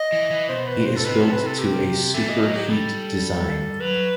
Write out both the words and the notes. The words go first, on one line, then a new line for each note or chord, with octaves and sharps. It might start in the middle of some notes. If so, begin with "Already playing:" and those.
He is built to a "super-heat" design.
Already playing: D#5
E3
E3
B2 C5
B4
C5
A4
C3 B4
A4
B4
A4
G4
E3 A4
D#5
F#3 D#5
G4
G3 A4
F#3 B4